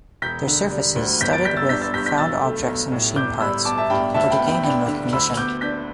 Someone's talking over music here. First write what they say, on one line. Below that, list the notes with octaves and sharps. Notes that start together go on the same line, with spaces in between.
Their surfaces, studded with found objects and machine parts, were to gain him recognition.
E1 G6 B6
D3
G3
D2
G1 G6 B6
A6 D7
G3 G6 B6
E6 A6
D4 G6 B6
E6 A6
G2 G6 B6
G6 B6
B1 E6 A6
A3
B1
A2
G1 D6 G6
G3 B5 E6
B3 A5 D6
E5 A5
G2 G5 B5
D2 E5 A5
G5 B5
B3
G5 B5
D4 G5 B5
D3
D2 B5 E6
B3 D6 G6
D4 G6 B6